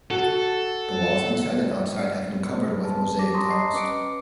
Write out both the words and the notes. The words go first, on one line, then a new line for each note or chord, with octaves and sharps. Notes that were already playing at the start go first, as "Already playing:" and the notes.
The walls inside and outside had been covered with mosaic tiles.
F#4 A4
G#4 B4
A5
G4 D6 A#6
A5 A#5 C6 C#6 D#6 A#6
D#5 C7
C#4 B4 D6 C#7 D7